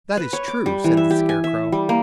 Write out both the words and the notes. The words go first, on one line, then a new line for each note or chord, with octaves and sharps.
"That is true," said the Scarecrow.
B4
C#5
D6
G3
E3
E5
G4
G#5
E5
G3
A#3